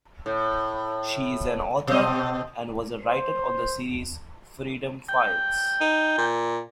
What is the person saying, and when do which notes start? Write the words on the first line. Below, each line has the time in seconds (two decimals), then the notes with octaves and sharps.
She is an author, and was a writer on the series "Freedom Files".
0.26 A2
1.87 B2 C4 D#5
3.02 C5
5.09 G5
5.81 D#4
6.18 A#2